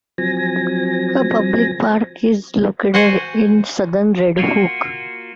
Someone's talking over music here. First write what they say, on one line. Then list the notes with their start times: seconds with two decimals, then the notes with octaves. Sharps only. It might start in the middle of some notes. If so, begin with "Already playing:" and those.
A public park is located in southern Red Hook.
0.18 F3 F#3 C4 G#5 A#6
2.94 F#4 C5 F#5 G#5
4.38 A#3 F4 F#4